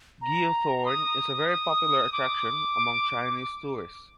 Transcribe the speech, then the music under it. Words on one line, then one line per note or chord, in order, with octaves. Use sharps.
Giethoorn is a very popular attraction among Chinese tourists.
A#5
D#6
D#6
D6